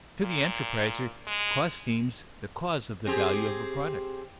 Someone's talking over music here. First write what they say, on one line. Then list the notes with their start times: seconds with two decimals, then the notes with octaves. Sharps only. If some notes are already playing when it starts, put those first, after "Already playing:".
To the enterpriser, cost seems the cause of the value of a product.
0.22 A#2
1.27 G#3
3.07 C4 G4 G#4